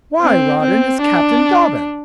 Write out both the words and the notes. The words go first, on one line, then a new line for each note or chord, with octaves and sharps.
"Why, Rawdon, it's Captain Dobbin."
C4
C4
D4